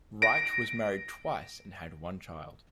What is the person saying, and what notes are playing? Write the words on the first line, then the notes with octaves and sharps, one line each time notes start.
Wright was married twice and had one child.
A#6 D7